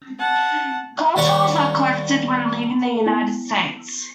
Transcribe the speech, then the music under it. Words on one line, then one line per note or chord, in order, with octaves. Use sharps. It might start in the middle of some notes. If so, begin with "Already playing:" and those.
Car tolls are collected when leaving the United States.
F#5 A5
D#2 G3 F#5 C#6
B3 E4